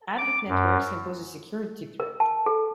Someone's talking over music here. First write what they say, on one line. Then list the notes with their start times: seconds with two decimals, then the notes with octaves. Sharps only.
Ad hoc networks can pose a security threat.
0.18 D6
0.48 F#2
2.00 A#4
2.20 A5
2.46 A4